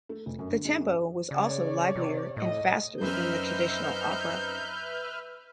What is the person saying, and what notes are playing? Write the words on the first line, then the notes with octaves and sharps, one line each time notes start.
The tempo was also livelier and faster than the traditional opera.
A3
F1
F#2
D3
G#3
F#2
C#3 C#5 D5
C3
A2 D#5
F#2 C4 D#4 B4 E5 F6 G6